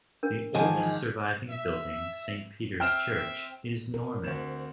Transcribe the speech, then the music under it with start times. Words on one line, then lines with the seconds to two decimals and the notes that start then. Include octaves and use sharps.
The oldest surviving building, Saint Peter's Church, is Norman.
0.23 D4 A#4
0.55 G#2 D#3 F3 D#5 G#5 A5
1.50 E5
2.80 C4 E5 G5 F6 E7
3.94 A#4
4.24 D2 C4 E7